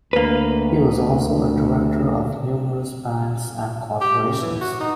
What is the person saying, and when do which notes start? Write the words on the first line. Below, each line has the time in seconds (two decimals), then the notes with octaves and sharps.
He was also a director of numerous banks and corporations.
0.13 D2 A#3 B4
4.01 G4
4.26 C#3
4.42 E3
4.61 F#4
4.80 D#4